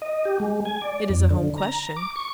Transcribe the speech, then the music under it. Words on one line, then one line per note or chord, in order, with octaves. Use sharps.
'It is a home question.
D#5
G4
G#3
G#5
D5
F2
D3
A#5
D6
C#6